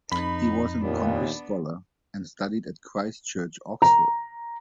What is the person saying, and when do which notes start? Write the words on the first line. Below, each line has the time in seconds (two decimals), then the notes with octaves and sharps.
He was an accomplished scholar, and studied at Christ Church, Oxford.
0.12 F2 D#4 B5
0.82 D#2 A#2 B3 D4
3.82 A#5